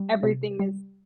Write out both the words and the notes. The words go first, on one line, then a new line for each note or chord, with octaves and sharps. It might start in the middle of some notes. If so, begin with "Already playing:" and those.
everything is
Already playing: G3
C3
G3